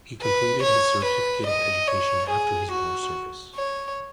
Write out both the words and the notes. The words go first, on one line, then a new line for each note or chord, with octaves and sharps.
He completed his Certificate of Education after his war service.
B4
C#5
B4
D#5
C#5
G#4
F#4
C#5